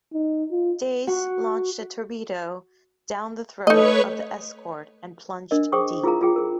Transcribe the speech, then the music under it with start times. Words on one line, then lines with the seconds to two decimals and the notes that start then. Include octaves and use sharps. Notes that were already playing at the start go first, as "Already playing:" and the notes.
"Dace" launched a torpedo "down the throat" of the escort, and plunged deep.
0.13 D#4
0.51 F4
1.07 F#4
3.67 A3 D#4 B4 C#5 D#5 C#6
5.51 D4 A#4 D#5
5.72 G#4 C5 G5 C#6 D#6
6.04 E4 F4 G#4 A#4 F5 A#5
6.21 F4 G#4 G5
6.36 G#4 A#4